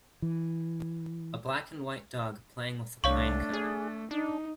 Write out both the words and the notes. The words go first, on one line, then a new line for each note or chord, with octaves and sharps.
A black and white dog playing with a pine cone.
E3
C2 A3 D4 C#5 F5 C#6
G#4
D4 D#4